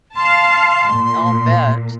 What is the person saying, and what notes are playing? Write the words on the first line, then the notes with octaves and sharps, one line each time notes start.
I'll bet.
F5 A5 C6
A#2